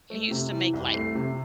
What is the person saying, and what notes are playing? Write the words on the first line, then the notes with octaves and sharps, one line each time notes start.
He used to make, like
A3
C3
E3
C2
A3 C7
C3